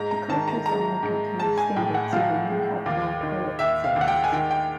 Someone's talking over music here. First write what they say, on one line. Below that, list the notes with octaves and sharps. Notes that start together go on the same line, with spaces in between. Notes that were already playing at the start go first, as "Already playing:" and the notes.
The coaches only contain standard seating and have no toilet facilities.
Already playing: G#2 A#5
A#5
D#3 A5
A#5
G#3 A#5
G#2
G#3 A5
G#5
A2 G5
F#5
F3 F5
G#3
D#2 F5
D#3
D#2 E5
F5
D#2
F#5
G5
G#5
D#3 G5
G5